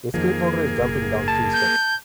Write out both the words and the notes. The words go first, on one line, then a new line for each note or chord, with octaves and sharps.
A skateboarder is jumping down three steps.
F2 D#3 F3 A#3 G#4
F#1
A5
G6